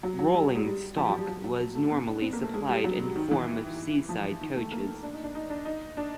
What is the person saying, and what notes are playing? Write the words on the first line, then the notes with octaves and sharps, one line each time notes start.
Rolling stock was normally supplied in the form of seaside coaches.
F#3
F#3
G3
G#3
G3
F3
F#3
G3
F#3
F#3
A3
B3
D4
C4
A#3
A3
G#3
G3
F#3
D#3
E3
F3
D#3
A3
A#3
D4
D#4
D4
D#4
D4
D#4
D4